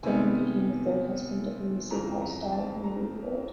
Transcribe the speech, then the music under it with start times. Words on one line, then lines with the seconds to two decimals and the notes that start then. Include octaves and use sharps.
Dillon became the third husband of the Music Hall star Marie Lloyd.
0.03 C3 D#3 G3 B3 G#5
1.90 F2 C#3 E3 A#5
2.22 A#5
2.53 A5
2.84 A#5